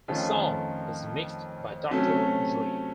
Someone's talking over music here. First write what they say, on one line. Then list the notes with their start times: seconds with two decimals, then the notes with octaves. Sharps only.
The song was mixed by Doctor Dre.
0.08 F2 D#3 A3 C#4 F4
1.91 C3 F#3 A3 C#4